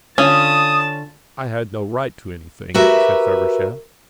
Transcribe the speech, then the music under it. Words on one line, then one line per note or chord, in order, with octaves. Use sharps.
"I had no right to anything," said Feversham.
D3 C#4 F4 A5 D#6
F#4 G4 A#4 B4 E5